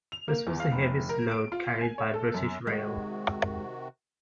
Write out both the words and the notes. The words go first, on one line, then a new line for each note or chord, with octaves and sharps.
This was the heaviest load carried by British Rail.
F7
A#3
E2
F5
F1
A#4
D7
F4
G#5
C#5
A4
F#2
C3 D#3 G#3 F#4